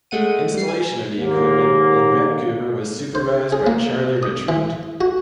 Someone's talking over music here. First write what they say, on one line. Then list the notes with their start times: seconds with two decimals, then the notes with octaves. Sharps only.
Installation of the equipment in Vancouver was supervised by Charlie Richmond.
0.11 G#3 A3 F#5 D#7
0.54 G3 C7
0.68 G#5
1.18 D#2 G#2 A#3
3.15 C5
3.52 G#4
3.67 A#3
4.23 D#6
4.49 E3
5.01 F#4